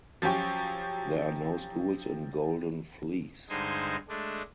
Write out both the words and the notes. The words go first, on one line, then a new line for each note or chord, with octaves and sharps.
There are no schools in Golden Fleece.
F3 F#3 C#4 G4 C#6
G2 D3 G#3 D#4 C5 G#5
G#3 A3 D4